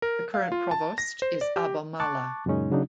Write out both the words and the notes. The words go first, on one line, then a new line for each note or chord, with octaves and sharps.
The current provost is Abba Mala.
A#4
F5
F4
A5
A#6
C5
D5
G4
A5 C#6 D6 F#6 A6
F#2 A#2 C#3 G#3 C#4 D#4
C#3 F#3 D4 D#4